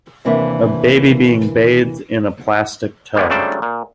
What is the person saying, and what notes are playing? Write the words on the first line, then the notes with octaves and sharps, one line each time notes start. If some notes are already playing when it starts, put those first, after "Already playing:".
A baby being bathed in a plastic tub.
D#2 C3 E3 A#3 D4 E5
D#3 G3 G#3 A#3 B3
C#3 F#3 G3 A3 D4 C5
A#2